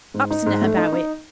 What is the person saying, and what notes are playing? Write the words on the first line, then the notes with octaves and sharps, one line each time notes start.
Obstinate about it.
G#2
D#4
G#2
A3
D#4
D#4